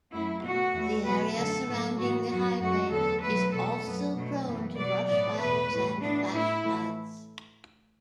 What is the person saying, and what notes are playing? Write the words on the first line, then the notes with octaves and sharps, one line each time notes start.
The area surrounding the highway is also prone to brush fires and flash floods.
F#2 F#3 A3 E4
B2 A3 F#4
E2 E3 A3
B2 F#3 B3 B4
F#2 D3 A3 A4
A2 F#3 A3
A2 E3 B3 F#4
F#2 F#3 B3 F#4
F#2 F#3 A3 F#4
E2 D3 B3 A4
B2 F#3 A3 B4
E2 B2 A3 A4
F#2 F#3 B3
B2 F#3 A3
F#2 E3 B3
B2 F#3 B3 D5
A2 E3 B3 D5
E2 B2 A3 B4
A2 E3 A3
A2 E3 B3 D4
A2 A3 E4
A2 E3 A3